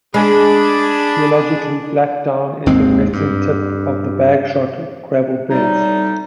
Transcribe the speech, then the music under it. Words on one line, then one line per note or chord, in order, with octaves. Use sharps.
Geologically, Black Down is the western tip of the Bagshot gravel beds.
G#3 D4 G#4 B5
G#1 D#2 G#3 C4
G2
A2 G3 D#4